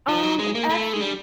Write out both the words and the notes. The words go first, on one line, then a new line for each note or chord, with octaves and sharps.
Um, it's actually
F3
F#3
G#3
A#3
A3
G#3
G3